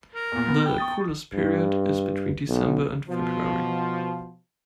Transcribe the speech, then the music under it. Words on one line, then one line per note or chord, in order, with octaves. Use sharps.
The coolest period is between December and February.
A#4
E2 A#2
B3
G5
C#6 D#6 A6
G2
B1
B2 F3